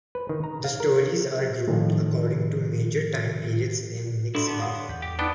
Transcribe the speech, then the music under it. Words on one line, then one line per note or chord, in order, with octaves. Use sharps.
The stories are grouped according to major time periods in Nick's life.
B4
D#3
A#5
F5
A#4
A2 D#3 F3
G#2 D4 E4 F#4 A4
D3 B3 A5
C#5 F5 F#5 C6 D#6
E2 G6 B6
G4
B3 D4 D#4 F#5 G5